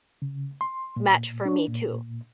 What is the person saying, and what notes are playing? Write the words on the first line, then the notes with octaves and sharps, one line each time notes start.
match for me too."
C#3
C6
A#2
D4
A#2